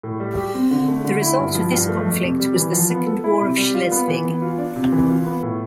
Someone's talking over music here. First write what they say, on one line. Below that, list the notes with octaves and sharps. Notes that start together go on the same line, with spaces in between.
The result of this conflict was the Second War of Schleswig.
A2
G3
G4
C4
D3
A3
D3
E4
G2
F3
G2
A3
F2
C3
G3
E3
F3
B3
A4
E4
C3
G3
F4
B3
E3
B3
F4
D4
C3
E3
F4
B3
A2